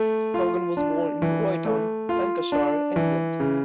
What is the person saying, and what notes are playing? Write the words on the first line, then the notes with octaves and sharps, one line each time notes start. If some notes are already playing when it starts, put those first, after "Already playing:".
Hogan was born in Royton, Lancashire, England.
Already playing: A3
F4
D4
E3
A3
F4
D4
E3
C#3